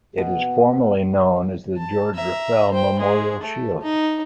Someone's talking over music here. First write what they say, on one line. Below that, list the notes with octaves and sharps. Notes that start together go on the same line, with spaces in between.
It is formally known as the George Ruffell Memorial Shield.
B2
A5
E5 A#5
C5 G5
G#3 G#4
A3
D#4